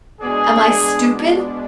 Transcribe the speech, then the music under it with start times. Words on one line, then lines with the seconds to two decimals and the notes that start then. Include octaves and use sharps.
Am I stupid?
0.20 B2 G#3 B3 D4 G#4